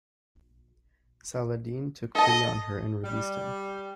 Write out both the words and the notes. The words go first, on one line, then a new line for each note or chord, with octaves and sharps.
Saladin took pity on her and released him.
A4 D#5 A5
G3